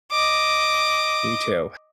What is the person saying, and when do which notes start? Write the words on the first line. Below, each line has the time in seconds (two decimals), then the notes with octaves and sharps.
You too.
0.11 D#5 D6